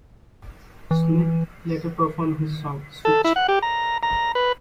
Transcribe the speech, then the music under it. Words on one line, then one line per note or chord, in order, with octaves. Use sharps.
Smith later performed his song "Switch".
E3
A4
E4
F#5
G4
A#5
A#5
B4